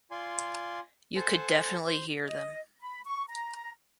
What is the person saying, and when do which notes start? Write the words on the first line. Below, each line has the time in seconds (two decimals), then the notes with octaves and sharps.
You could definitely hear them.
0.11 F4 D5 G#5 C6
1.16 A4 C5 F#5 G#5 A5
1.86 C5
2.26 D#5
2.81 B5
3.06 C#6
3.29 A#5